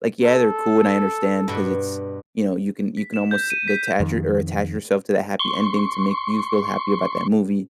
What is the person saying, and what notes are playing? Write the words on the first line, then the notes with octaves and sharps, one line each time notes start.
like, yeah, they're cool, and I understand 'cause it's, you know, you can you can almost detach or a attach yourself to that happy ending to make you feel happy about that movie.
A4
G2 B2
B6
E7
G6
D#7
B6
F2 D#3
C6 C#6